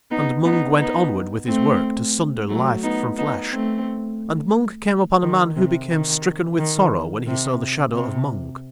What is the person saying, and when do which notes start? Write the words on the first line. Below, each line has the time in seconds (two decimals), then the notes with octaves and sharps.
And Mung went onward with his work to sunder Life from flesh, and Mung came upon a man who became stricken with sorrow when he saw the shadow of Mung.
0.11 B3 D#4
0.45 B3 D#4
0.78 B3 D#4
1.47 A3 C4
2.49 F#3 A3
2.83 B3 D#4
3.18 B3 D#4
3.52 A3 C4
5.22 D#3
5.56 C3
5.90 D#3
6.58 D#3
7.27 C3
7.95 C3